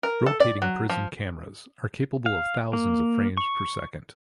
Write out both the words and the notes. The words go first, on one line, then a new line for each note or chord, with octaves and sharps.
Rotating prism cameras are capable of thousands of frames per second.
A#4
A4
D5
F#3
F3
F5
A#3
C#6